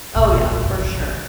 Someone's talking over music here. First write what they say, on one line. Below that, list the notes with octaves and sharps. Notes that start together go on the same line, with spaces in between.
Oh, yeah, for sure.
B2
A#2
D3
B2
D3
A#2
F#2
G#2
B2
D#3
D3